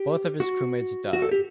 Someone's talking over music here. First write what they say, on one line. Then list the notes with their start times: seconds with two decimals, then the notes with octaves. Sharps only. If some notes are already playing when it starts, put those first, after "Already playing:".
Both of his crewmates died.
Already playing: G4
0.40 F#4
1.13 F#4
1.22 A4
1.31 G4